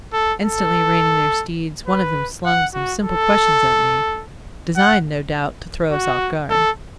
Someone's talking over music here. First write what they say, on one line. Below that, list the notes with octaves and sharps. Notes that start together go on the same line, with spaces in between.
Instantly reining their steeds, one of them slung some simple questions at me, designed, no doubt, to throw us off guard.
A4
A4
B4
F#5
F#4
A4
F#5
F#4
A4